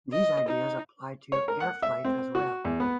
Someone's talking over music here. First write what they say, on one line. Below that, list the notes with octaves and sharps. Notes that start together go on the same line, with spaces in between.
These ideas apply to air flight as well.
D#5
D#4
C#5
A#4
F#5
E5
C4
F#4
E2
B3